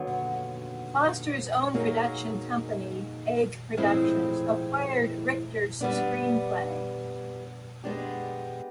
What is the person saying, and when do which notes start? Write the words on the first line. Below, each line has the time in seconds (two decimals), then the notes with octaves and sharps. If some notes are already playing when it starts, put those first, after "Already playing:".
Foster's own production company, Egg Productions, acquired Richter's screenplay.
Already playing: D#2 D3 F#3 B3
1.74 F#3 A#3 D#4 G#4
3.77 A2 F3 G#3 C4 E4
5.81 G3 B3 D4
7.84 G#3 B3 D4 G4